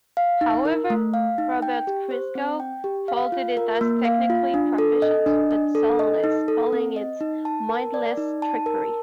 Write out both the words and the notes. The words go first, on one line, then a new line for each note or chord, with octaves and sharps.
However, Robert Christgau faulted it as technically proficient but soulless, calling it "mindless trickery".
F5
D#4
A#4
A3
F5
D#4
G5
G4
C5
C4
G5
G4
F5
F4
A#4
A#3
F5
F4
D4
A4
D#5
D4
D4
A4
D#5
D#4
A4
C4
D#5
D#4
A5
A#4
D5
D#4
A5
A#4